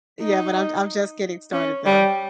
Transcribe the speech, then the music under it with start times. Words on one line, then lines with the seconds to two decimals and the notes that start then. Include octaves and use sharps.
Yeah, but I'm I'm just getting started though.
0.21 D#4
1.53 C#4
1.86 G3